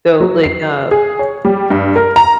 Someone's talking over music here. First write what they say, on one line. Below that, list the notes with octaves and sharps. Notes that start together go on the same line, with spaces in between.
So, like, uh,
F#3
C7
G#4
C#5
G3
G2
A#4
A#5